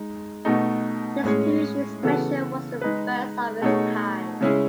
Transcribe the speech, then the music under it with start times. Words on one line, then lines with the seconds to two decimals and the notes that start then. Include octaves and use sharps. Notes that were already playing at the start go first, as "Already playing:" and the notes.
This two-issue special was the first of its kind.
Already playing: G#3 D#4
0.45 B2 A3 D#4
1.24 A2 G#3 C#4 G#4 C#5
2.03 C#3 E3 B3 F#4 A4
2.81 G#3 D#4 G#4 B4
3.61 B2 A3 D#4 G#4 C#5
4.41 C#3 G#3 C#4 E4 G#4